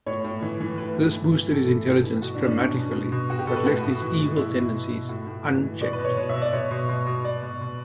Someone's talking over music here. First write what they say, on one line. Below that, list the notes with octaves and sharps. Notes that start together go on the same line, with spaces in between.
This boosted his intelligence dramatically, but left his evil tendencies unchecked.
A2 C#5
A2
E3
E3
A2 B4
A2
E3
E3
A2 A4
A2
E3
E3
B2 F#4
D4
B2 C#4
D4
B2 D4
B2
B2
B2
B2 F#4
G4
B2 A4
B4
A2 F#4
A2
E3
E3
B2 E4
B2
B2
B2
A2 F#4
A2
E3
E3
B2 D5
B4
B2
C#5
B2 C#5
E5
B2
D5
B2 C#5
B2
B2
B2
B2 D5
B2
B2